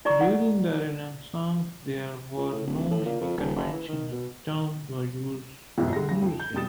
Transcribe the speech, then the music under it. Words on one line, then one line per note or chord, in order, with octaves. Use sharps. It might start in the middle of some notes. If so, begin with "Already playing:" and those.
During the Renaissance there were no naming conventions and terms were used loosely.
E4 D5 A#5 C#6
F#5
C#2
A2
D1
A2
A#2
F2
D#1
F#1
E3
D#3
B2
F#1 B1 F2 G#2 B2 E3
D3 G3 A#6
A1 A#6
F2
G6
F1 B2 G3 D#6 A6 E7